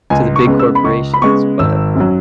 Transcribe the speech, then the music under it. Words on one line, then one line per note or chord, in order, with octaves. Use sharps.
to the big corporations, but
C#2 G#5
C#6
C#3 G#3 B3
E6
B5
C#2 C#6
B5
C#3 G#3 B3 C#6
G#1 E6
F#2 F#3